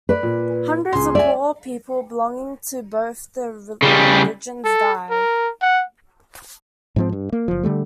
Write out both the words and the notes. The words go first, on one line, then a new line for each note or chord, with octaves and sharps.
Hundreds of poor people belonging to both the religions die.
B4 D5
A#2
C#2 G#4 C6
D5 E5 G#5
C#3 G3
A4
A#4
F#5
G#2 F3 C4
G2
A#3
F#1 F3
D3 F3 G3 A3